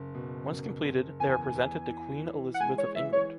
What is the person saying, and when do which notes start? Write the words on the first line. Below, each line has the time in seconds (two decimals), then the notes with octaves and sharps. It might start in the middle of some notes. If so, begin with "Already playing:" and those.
Once completed, they were presented to Queen Elizabeth of England.
Already playing: F#1
0.15 B2
0.49 F#1
0.85 F#1
1.20 E2 G#5
1.55 E2
1.90 E3
2.25 E3
2.54 F#5
2.60 G#3 G#5
2.78 C#5
2.95 E3 E5
3.13 C#5